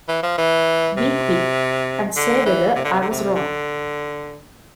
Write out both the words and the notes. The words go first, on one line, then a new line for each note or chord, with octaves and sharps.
Be quick, and say whether I was wrong!
E3
F3
E3
C3
D3
E3
C3
D3
C3
D3
C3
D3